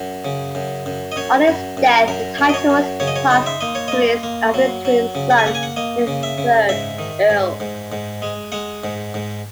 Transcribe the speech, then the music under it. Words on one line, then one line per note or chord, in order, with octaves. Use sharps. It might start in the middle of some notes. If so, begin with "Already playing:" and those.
On his death the titles passed to his eldest twin son, the third Earl.
Already playing: F#2
C#3
F#2
F#2
D#5
F#2 C#5
F#2
F#2
F#2 A#4
F#2
D#5
C#5
F#2
C#3 C#5
D#5
C#5
D#4
E5
A#3 D#5
C#5
A#3 D#5
A#3
F#3
F#3
C#3
F#5
G#5
A#3 F#5
G#5
F#5
A#3 D#5
C#3
E5
C#3
G#2 E5
D#3
G#2
G#2
G#2
G#3
G#3 F#5
G#2
G#2